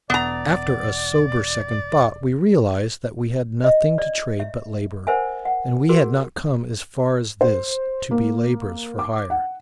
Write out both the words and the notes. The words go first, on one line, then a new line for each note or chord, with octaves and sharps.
After a sober second thought, we realized that we had nothing to trade but labor; and we had not come as far as this to be laborers for hire.
E1 B3 D5 A#5
D#5
D5
E5
A#4 C5 E5 F#5 G#5
F#5
F#4 G#4 A#4
C5
A#3
D6
F#5